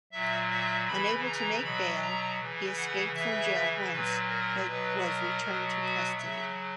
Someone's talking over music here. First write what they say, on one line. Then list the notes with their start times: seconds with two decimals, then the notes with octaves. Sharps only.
Unable to make bail, he escaped from jail once, but was returned to custody.
0.12 A#2 F#3 E5
0.50 E5
0.87 C#3 E3 B5
1.26 A#5
1.63 B2 F#3 B5
2.02 A#5
2.39 C#3 E3
2.77 F#5
3.16 C#3 E3 E5
3.91 A#2 F#3 B4
4.29 A#4
4.67 B2 F#3 B4
5.05 A#4
5.42 B2 F#3
5.80 F#4
6.18 C#3 F#3 E5